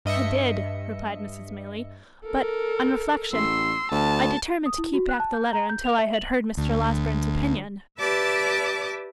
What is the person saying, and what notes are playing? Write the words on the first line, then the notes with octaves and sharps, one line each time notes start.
'I did,' replied Mrs. Maylie; 'but, on reflection, I determined to keep back the letter until I had heard Mr. Losberne's opinion.'
G2 D#5 E5 C#7
A4 A#4
A1 C6 E6
D2 A5
D#6
E4
F#4
F#6
A5
G6
A#5
G6
F7
E5
F#7
D2
G4 B4 D5 E5 A5 D6